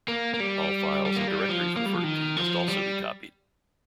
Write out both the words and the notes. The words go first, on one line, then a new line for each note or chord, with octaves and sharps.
All files and directories referred to must also be copied.
A#3
A#3
G3
G3
A#3
G3
F3
A#3
G3
F3
D#3
F3
G3